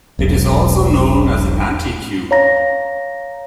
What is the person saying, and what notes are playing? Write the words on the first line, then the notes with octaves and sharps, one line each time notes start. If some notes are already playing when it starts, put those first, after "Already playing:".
It is also known as an "anticube".
E1 B1
C#5 F5 A#5 A#6